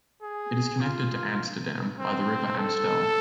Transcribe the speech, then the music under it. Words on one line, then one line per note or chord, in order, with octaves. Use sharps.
It is connected to Amsterdam by the river Amstel.
G#4
F4
C4
A4